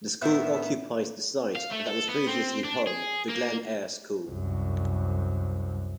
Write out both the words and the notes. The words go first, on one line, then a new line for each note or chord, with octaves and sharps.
The school occupies the site that was previously home to Glen Eyre School.
A2 D#3 B3 A#4 E5
F5
A3
A4
B3
C4
D4
G#4
A#3
C2 F#2